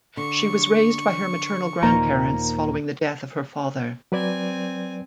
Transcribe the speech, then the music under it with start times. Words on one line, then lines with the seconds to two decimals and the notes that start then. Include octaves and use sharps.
She was raised by her maternal grandparents following the death of her father.
0.17 D3 C#6
1.83 D#2 A#2 A#3 D#4 C5 A#5
4.12 F#3 C4 B4 D5 G#5